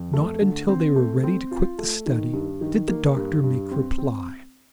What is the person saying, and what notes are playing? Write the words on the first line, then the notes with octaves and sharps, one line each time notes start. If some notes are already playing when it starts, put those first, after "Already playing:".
Not until they were ready to quit the study did the doctor make reply.
Already playing: F2
A3
D3
C4
A3
C4
F4
A3
D#3
G2
D#3
A#3
G2
G2
C4
C4